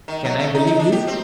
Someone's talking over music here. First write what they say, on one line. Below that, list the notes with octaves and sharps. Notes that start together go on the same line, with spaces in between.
"Can I believe you?"
D#3
F#3
A3
D#4
D#4
D4
G4
C4